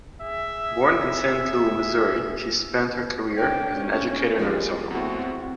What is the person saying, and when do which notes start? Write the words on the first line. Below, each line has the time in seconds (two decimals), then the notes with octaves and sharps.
Born in Saint Louis, Missouri, she spent her career as an educator in Arizona.
0.21 G#4 E5
3.38 D4 C#5 G5
3.79 C#4
4.38 F3 G3 G#3
4.91 E2 A2 C4 F#4